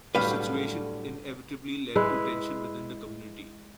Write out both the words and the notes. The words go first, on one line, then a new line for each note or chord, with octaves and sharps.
This situation inevitably led to tensions within the community.
A2 D3 F#3 G3 B4 F5
G#3 E4 B4